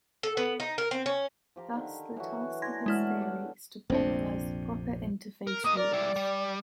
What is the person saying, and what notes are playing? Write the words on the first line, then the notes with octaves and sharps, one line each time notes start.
Thus, the task of his theory is to formalize the proper interface rules.
A4
B3
D#4
A#4
C4
C#4
F3 G4 A#4
D3 D#3
E3 F#3 F#4
E3 A3 D5 C6 G#6 A#6
B2 D3 F#3 G#3 E4 F6
D5 F#5 G5
A#1 F2 C3 C4 D4
A#4
A#3 D#5 D#6
A#4 D5
G3 E4
G3